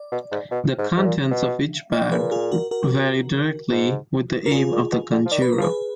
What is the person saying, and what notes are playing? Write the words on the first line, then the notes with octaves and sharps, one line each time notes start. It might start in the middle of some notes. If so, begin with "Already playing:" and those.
The contents of each bag vary directly with the aim of the conjurer.
Already playing: D5
B2
G#2
B2
G#2
G#2
A#2
B2
D#5
D5
A#2 G#4 B4
F4 G#4
F#4 A#4
F#4 A#4
G#2
A#4
A#2 F4 G#4
A#2
B2
D3
F3
D#3 D5
B4
A#4
F3
G#4 B4